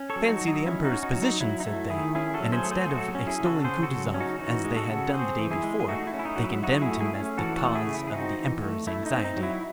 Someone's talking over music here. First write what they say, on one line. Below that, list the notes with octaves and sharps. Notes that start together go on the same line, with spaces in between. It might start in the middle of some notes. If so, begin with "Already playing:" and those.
"Fancy the Emperor's position!" said they, and instead of extolling Kutuzov as they had done the day before, they condemned him as the cause of the Emperor's anxiety.
Already playing: C#4
A4 C#5
F#3
D#4 F#4
F#3
D#4
C#4 E4
D#4 F#4
C#4
D#4 F#4
F#3
D#4
F#3 E4
D#4
A3 E4
D#3 E4 G#4
C#4 E4 G#4
F#4 A4
F#3
G#4 C5
A3 A4
G#4 C5
G#4
F#3 F#4 A4
C#4
E4 G#4
C#3
F#4 A4
C#3 G#4 C5
F#4 A4
F#3
C#4
D#4 F#4
E3 D#4 F#4
G#3
F#4 A4
C#3
C4 G#4 C5
E3
E4 G#4
G#3
G#4
A3 D#4 F#4
E4
C#4
E4
D#4
F#3 F#4
E4
F#3 D#4 F#4
E4 G#4
A3
E4 G#4
C#4
E3 F#4 A4
F#4 A4
A3
E4 G#4
C#3
E4
G#4
C4 D#4 F#4
E3
A3
A3 E4
D#4
C4
D#4
F#3
E4